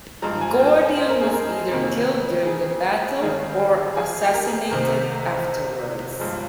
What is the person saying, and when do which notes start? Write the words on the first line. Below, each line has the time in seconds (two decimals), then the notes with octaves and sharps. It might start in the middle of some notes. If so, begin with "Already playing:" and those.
Gordian was either killed during the battle or assassinated afterwards.
0.22 G2 F3 G#3 A#5
0.41 G#5
0.59 G5
0.77 D#5
0.96 C5
1.10 A#4
1.21 G#4
1.33 A#4
1.71 F2 C3 D#3 A#3
2.46 G#4
3.21 G1 G2 D#3 G#3 G#4
3.95 G#4
4.21 G4
4.34 A#4
4.45 G#4
4.70 C2 C3 D#3 A#4
6.19 G1 G2 F3 G#3